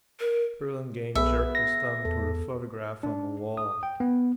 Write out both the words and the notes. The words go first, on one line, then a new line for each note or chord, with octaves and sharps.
Burlingame jerked his thumb toward a photograph on the wall.
A#4
B1 B3 G#4 B4 E5
A#6
E2 A4
D4
D#6
G5
B3